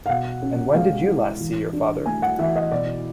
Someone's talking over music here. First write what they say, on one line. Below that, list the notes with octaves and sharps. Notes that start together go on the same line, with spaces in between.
And When Did You Last See Your Father?
F5
B2 F#5
C#4
G#3 F5
E4
E3
D4
A3 G#5
F#5
E3 E5
D#5
B2 D5